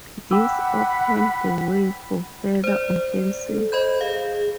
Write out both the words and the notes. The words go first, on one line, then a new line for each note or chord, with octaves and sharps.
This opened the way for further offensive.
F#5 G5 B5 D6 E6
C5 D5
A4
C5 D#5 B5 G6
G#4 F5